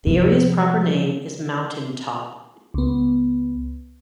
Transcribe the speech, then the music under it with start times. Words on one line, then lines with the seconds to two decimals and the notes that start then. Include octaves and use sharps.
The area's proper name is Mountain Top.
0.07 C3 F3
2.74 C#2 B3